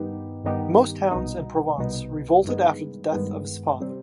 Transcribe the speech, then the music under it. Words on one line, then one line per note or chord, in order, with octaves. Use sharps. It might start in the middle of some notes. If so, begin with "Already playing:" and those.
Most towns in Provence revolted after the death of his father.
Already playing: G2 D#3 B3 D#4 G4
G2 D#3 B3 D#4 G4
C2 B2 B3 D#4
C2 B2 B3 D#4
G2 D#3 G#3 B3
G2 D#3 G#3 B3
C3 G3 C4